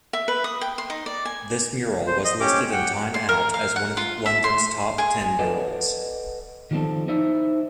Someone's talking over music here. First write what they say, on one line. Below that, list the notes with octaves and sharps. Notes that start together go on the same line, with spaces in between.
This mural was listed in "Time Out" as one of London's top ten murals.
E5
B4
D#6
G5
C6
D#4
D5
G#5
C5
D#5
C#4 G4 D6
F#5 G5
C6
A#4
F5
F#5
F4
E5
C6
G#4
A4 B4 D5 D#5 F#5
D#3 F3 G3 A3 C4 A4
D#4 E4 C5 D5 E5